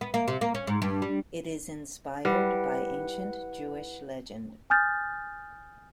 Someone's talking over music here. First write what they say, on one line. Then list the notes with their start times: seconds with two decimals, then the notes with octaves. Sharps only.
It is inspired by ancient Jewish legend.
0.01 B3
0.14 A#3
0.28 C3
0.41 A#3
0.55 C#4
0.67 G#2
0.82 G2
1.02 G3
2.25 G3 E4 B4 F#5
4.70 G#5 D#6 F6 G6 A6